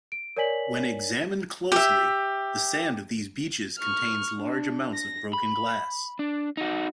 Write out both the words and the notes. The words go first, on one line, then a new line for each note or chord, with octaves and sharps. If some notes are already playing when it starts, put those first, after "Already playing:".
When examined closely the sand of these beaches contains large amounts of broken glass.
D7
A#4 C#5 D5 G#5 B6 F#7
G4 E5
C#6 F6
D4
A#6
B5
D4
D#4 F#4